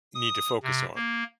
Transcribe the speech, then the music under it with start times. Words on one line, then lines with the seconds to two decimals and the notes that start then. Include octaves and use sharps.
need to focus on,
0.15 D#6
0.63 C3
0.95 A#3